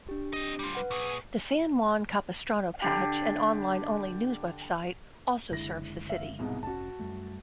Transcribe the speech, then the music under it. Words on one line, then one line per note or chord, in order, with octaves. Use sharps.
"The San Juan Capistrano Patch", an online only news website, also serves the city.
D4 G4
C4 D#5
G3 F4
B4 F#5
A#2 G#4 C#6
D3 G4
F#1 D3 G#3 E4 A#6
E5 F5
C2 G#2 B2
F1 A2 C#4 F#4 A5
F#2 G3 A3